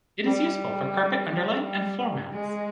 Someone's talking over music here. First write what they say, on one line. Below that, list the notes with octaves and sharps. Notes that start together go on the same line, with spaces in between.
It is useful for carpet underlay and floor mats.
G3
G3
G#3